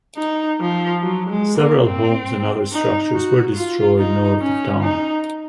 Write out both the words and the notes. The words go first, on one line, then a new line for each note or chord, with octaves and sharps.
Several homes and other structures were destroyed north of town.
D#4
F3
F#3
G#3
A#3
C4
D#4
F#4
F4
D#4
C#4
D#4